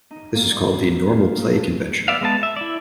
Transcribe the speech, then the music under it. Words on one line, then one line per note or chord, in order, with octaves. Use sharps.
This is called the "normal play" convention.
D#4
A#3
G3
C4
F4
A#3
A4
B3 D5 E5 F5
G#3 B3 A5
E5
E4 D5